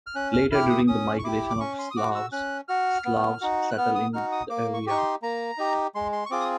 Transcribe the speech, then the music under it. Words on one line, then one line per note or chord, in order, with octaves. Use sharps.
Later, during the migration of the Slavs, Slavs settled in the area.
F6
C#4 F#6
F6
E4 G4 F6
D#6
C#4 D#6
C#6
E4 G4 D6
D6
C#4 C#6
C6
D#6
F#4 D6
E6
C#4 F#6
F#4 F6
B3
D#4 F#4
F#6
B3 F6
D#6
D#4 F#4 F6
D#6
A#3 D6
C#6
D#4 G4 C#6
C6
A#3 A#5
D#4 G4
G#3 C6
C6
C#6
C4 F4 G#4 D6
D#6